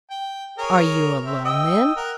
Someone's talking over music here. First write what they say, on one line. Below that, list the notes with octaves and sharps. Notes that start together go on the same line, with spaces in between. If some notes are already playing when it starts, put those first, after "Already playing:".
'Are you alone, then?'
G5
G#4 A#4 C#5
C4 E5
D#5 G5 E6
A#4 F#5